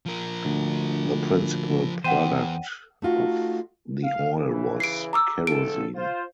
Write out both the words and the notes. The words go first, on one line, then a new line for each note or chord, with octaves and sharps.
The principal product of the oil was kerosene.
F3 A#4
D2
E2 C5 F#5 G5 D#7
A3 D#4 F4 F#4
F5
C#3 E3
C7 D7
A#5 D6 E6
F#1 A4 D7
F4 C5